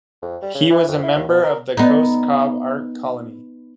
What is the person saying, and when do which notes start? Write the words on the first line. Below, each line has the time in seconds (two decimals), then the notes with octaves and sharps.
He was a member of the Cos Cob Art Colony.
0.22 F2
0.42 G3
0.55 C#3
0.71 E3
0.88 F2
1.03 E4
1.16 D#2
1.28 B2
1.44 A#4
1.77 B3 D#4